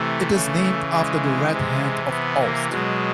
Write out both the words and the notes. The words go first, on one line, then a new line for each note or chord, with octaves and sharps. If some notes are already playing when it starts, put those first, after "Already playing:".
It is named after the Red Hand of Ulster.
Already playing: C3 E3 A3
C#3 E3
G#3
C3 E3
B3
A#3
B2 F#3 G#3